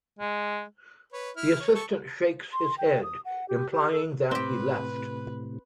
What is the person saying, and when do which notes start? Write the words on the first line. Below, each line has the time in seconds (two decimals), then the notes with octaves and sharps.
The assistant shakes his head, implying that he left.
0.19 G#3
1.13 B4 C#5
1.36 E4 F6
1.60 C#5
1.75 A4 C#6
2.53 C6
2.78 G5
3.03 D#6
3.25 F#5
3.48 G4
3.71 G4
3.91 A4
4.31 A2 C3 C4 G4 B4